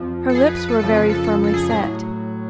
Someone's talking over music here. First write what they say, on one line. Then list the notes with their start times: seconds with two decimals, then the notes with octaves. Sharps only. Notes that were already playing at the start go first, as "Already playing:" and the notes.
Her lips were very firmly set.
Already playing: F2 F3
0.30 A4
0.35 G#4
0.46 B4
0.57 B4
0.69 A4
0.79 F2 C#3 F3 A4
0.94 B4
1.09 A4
1.24 A4
1.44 A4
1.54 G#4
1.69 A2 F#3 G#4